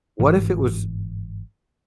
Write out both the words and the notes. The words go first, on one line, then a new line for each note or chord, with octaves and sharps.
What if it was
G1 G#2 E3